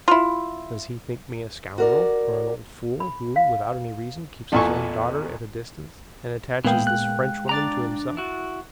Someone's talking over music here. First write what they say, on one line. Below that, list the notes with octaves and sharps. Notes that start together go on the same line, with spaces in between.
Does he think me a scoundrel, or an old fool who, without any reason, keeps his own daughter at a distance and attaches this Frenchwoman to himself?
E4 F4
F#4 A#4 D5
B5
F5
A1 E2 A#2 A4 G#5 C#6
A#2 E3 G#3 A#3 B3 G#4 F5 G5
F#6
D4 D5 A#5 F#6 A6
E4 F#4